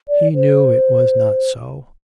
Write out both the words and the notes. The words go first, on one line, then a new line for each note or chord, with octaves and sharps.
He knew it was not so.
D5
C5